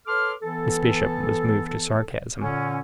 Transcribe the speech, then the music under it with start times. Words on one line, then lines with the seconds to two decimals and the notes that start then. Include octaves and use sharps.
Miss Bishop was moved to sarcasm.
0.07 A4 B4 C#5 C6 D6 F6
0.42 E3 B3 A4
2.41 A#2 D3 C#4